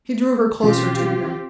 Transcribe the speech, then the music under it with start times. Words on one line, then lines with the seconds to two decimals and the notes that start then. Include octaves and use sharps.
He drew her closer to him.
0.63 B2 E3 C4 C#4 F4 G4